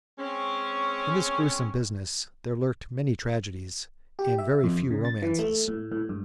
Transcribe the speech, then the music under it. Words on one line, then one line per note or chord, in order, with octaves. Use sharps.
In this gruesome business there lurked many tragedies, and very few romances.
G#3 C4 C#4
G4
E5
F2
C#3
A6
E3
A3
A2
A2
G2